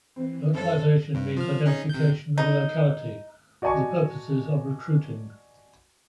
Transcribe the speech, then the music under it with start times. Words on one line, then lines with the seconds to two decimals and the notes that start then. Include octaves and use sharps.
Localization means identification with a locality for the purposes of recruiting.
0.16 E3 C4 C5
0.53 F#2 A4 C5 C#5
1.15 G2
1.37 F3 F6
1.66 C#4 D#4 G#4
1.89 C3 G6
2.38 D#4
3.62 F#4 D5 D#5 G#5 A5 C#6